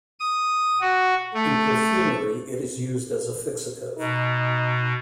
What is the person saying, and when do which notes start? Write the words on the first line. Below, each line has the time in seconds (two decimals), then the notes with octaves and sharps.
In perfumery it is used as a fixative.
0.20 D#6
0.81 F#4
1.34 A3
3.99 B2 D#4